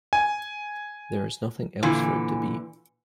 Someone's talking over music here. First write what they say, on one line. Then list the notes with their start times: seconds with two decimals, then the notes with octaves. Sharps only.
There is nothing else for it to be.
0.13 G#5
1.83 A#2 D3 E3